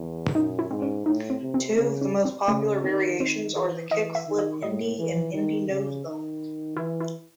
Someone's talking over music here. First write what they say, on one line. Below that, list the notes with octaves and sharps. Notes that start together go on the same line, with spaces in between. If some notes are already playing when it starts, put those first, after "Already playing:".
Two of the most popular variations are the kickflip Indy and Indy nosebone.
Already playing: E2
F#2 D#4
E4
G#2 C4
C#4
A2 D#4
C4
C3
C4
C#3 C4
C#4
C4
C#3 A3
D#3 C4
D#3 C4
E3 G#4
E3 D#5
E5
D#3
D#5
A2 D#5
E3
D#3
C#3
D#3
E3 E4
E4